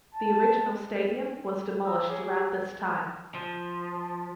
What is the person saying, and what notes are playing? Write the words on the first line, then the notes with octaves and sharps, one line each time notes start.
The original stadium was demolished around this time.
A5
A#5 D#6 E6
G#4 C#5 D6
G4 G#4
F3